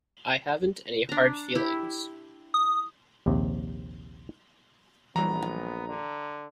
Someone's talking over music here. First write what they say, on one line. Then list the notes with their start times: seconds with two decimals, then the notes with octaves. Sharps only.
I haven't any hard feelings.
1.09 D4 A#5
1.55 E4 G4
2.54 D#6
3.26 A#1 D#2 C3
5.16 A#1 E3 F#3 G3 B3 A#5
5.88 D3